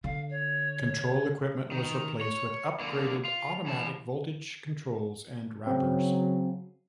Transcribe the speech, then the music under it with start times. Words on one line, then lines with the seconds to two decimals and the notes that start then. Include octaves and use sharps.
Control equipment was replaced with upgraded automatic voltage controls and rappers.
0.04 D3 F5
0.30 C#5
1.72 D#3
2.21 C#5
2.80 D3 A#3
3.25 F4
3.66 E3 A5
5.67 C#3 F#3 C4